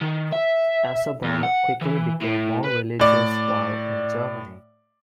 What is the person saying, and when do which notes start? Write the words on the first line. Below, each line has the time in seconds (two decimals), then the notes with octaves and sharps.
Essabar quickly became more religious while in Germany.
0.02 D#3
0.32 E5
1.24 E2
1.43 F#5
1.81 E3
2.21 A2
2.65 B4
3.00 A2 D5